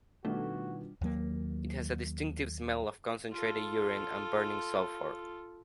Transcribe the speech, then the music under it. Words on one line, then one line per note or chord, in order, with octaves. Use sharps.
It has a distinctive smell of concentrated urine and burning sulphur.
B2 D#3 G3 A3 B3 D4 F4 F#4
D#2 F#3 A#3
F4 A4